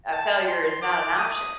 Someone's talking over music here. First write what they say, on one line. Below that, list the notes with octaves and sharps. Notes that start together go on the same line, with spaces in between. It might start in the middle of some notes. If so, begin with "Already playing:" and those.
uh, failure is not an option.
A5
C6
D6
D#6